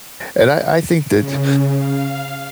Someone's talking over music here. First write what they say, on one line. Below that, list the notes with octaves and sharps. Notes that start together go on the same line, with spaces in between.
and I I think that
C#3
F5